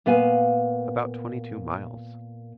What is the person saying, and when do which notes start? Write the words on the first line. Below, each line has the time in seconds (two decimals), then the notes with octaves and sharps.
'About twenty-two miles.
0.06 A#2 B3 F5 G#5